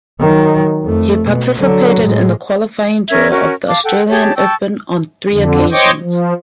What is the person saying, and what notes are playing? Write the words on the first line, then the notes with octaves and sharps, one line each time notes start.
He participated in the qualifying draw of the Australian Open on three occasions.
D#3 F#3
F2 A3
B2
D3 F#3
A2 G#3
C#4 A#4 E5 G#6
C#4 F#4 A#4
F5 A5 D6
A4 F#5 G5
G4 G#4 C#5 A5
G5 A5 C#6 E6
F2 D3
C5 C#5 D#5 G5 C#6 D6
F3